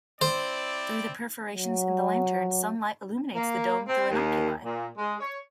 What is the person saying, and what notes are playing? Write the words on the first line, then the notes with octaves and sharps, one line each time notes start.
Through the perforations in the lantern, sunlight illuminates the dome through an oculi.
C4 E4 C5 D5
F#3
A#3
C4
D#2
A#2
G#3
C#5